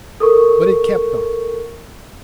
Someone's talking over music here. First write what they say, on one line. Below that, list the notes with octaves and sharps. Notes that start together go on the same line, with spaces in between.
But it kept on.
A4 A#4 C#6